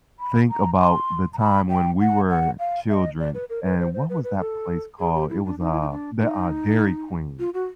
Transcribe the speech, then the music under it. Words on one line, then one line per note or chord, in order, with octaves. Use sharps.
think about the time when we were children, and, what was that place called? It was, uh, the uh, Dairy Queen.
B5
A#5
C6
A#5
B5
G5
F#5
F#5
F5
E5
D#5
D5
B4
A#4
B4
C5
C5
B4
B4
A4
G#4
G4
E4
D4
D#4
E4
D#4
D4
D#4
F4
F#4